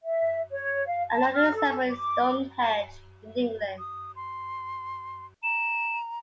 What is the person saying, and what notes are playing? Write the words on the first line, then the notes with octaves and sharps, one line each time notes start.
Another example is Stonehenge in England.
E5
C#5
F5
A5
F6
A4
D6
D#6
C6
A#5 E7